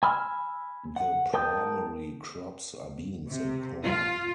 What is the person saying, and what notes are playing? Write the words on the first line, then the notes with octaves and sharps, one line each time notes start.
The primary crops are beans and corn.
G#5 B5 E6 F6
F#5
A#4 G5 A5 D#6 G6
C3
F4